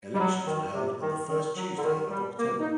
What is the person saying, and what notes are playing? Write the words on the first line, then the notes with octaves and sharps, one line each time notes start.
Elections were held the first Tuesday of October.
G3
F#3
D#3
C3
D#3
D#3
F#3
D3
D#3
G3
A#3
D#4